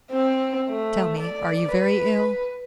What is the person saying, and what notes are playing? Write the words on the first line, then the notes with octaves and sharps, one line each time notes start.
"Tell me, are you very ill?"
C4
A3
D5
B4